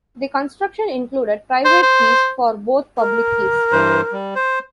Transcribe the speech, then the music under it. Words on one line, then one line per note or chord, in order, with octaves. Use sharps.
The construction included private keys for both public keys.
C5
C5
A#4
G2 E3 C5
G3
C5